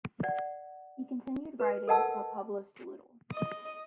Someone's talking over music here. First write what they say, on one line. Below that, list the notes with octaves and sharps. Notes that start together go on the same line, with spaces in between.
He continued writing but published little.
D5 F#5
B4
A4 A#4 D#5 F#5 A5 E6
D#5